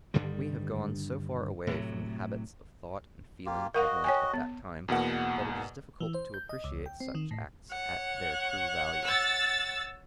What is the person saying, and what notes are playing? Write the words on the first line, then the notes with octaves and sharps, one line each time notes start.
We have gone so far away from the habits of thought and feeling prevalent at that time that it is difficult to appreciate such acts at their true value.
G2 D3 D#3 G3
A2 C3 F#3
A#3 F4 G4
F#4 A#4 D#5 F5 F#5
C#5 G5 G#5
B3
E2 B2 A#3 F#5
E3
C5
G6
D#5
C#2
G5
C4
D#3
A2
C#5 F#5
E6 A6